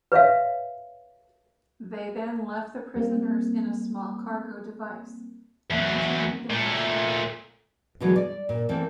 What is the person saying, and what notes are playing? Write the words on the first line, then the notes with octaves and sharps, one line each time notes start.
They then left the prisoners in a small cargo device and continued their mission.
B4 C#5 E5 F5
G3 A#3 C4
E2 F#3
A#2 A3
B2 D3 E3 F#3 G#3 G#4
D5
A#2
E3 A3 A#3 C4